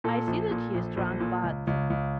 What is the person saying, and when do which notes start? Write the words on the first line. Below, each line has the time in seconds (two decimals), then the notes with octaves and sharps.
"I see that he is drunk, but...."
0.04 A#2 A4
0.27 A#1
0.51 A#2
0.74 A#1
0.97 A#1
1.20 A#2
1.43 C#2
1.67 C#2
1.90 C#2